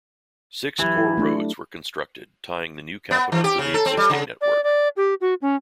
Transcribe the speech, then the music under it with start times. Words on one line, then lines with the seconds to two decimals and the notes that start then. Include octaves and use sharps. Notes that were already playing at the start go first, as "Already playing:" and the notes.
Six core roads were constructed tying the new capital to the existing network.
0.79 E3 F#3 G4
0.97 E4
1.18 A3 D4
3.11 B3
3.32 E3
3.44 G4
3.59 C#3
3.74 A4
3.86 C4
3.97 G3
4.10 C#3
4.41 D5
4.64 D5
4.97 G4
5.21 F#4
5.42 C#4